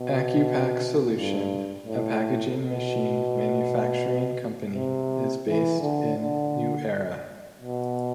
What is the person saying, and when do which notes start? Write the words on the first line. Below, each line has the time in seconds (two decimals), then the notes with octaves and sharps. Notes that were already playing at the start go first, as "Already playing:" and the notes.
Acupack Solution, a packaging machine manufacturing company, is based in New Era.
Already playing: B2
1.14 G2
1.86 A2
2.58 B2
4.74 C3
5.46 E3
5.82 D3
6.18 D3
7.62 B2